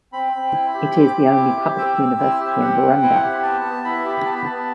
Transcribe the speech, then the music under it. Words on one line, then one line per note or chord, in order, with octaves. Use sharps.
It is the only public university in Burundi.
C4 B5
C4
E4
G4
C4 D6
C4
E4
G4
C4 E6
D6
C4 E6
E4
G4
C4 F#5
C4
E4
G4
B3 A5
B3
E4 B5
G4
B3 A5
B5
B3 A5